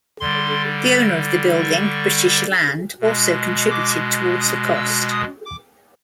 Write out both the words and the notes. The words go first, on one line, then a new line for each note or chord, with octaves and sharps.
The owner of the building, British Land, also contributed towards the cost.
D3 G3 C6
C#6
B2 G#3
D6
D#6
E6
D#6
D6